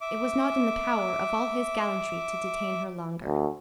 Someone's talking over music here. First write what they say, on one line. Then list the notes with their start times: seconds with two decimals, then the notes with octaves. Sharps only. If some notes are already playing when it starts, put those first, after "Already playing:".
It was not in the power of all his gallantry to detain her longer.
0.01 E5 D6
3.24 D2